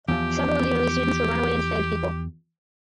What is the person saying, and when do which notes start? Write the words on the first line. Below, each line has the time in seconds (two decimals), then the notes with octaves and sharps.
Several of the early students were runaway enslaved people.
0.08 E2 F3 G4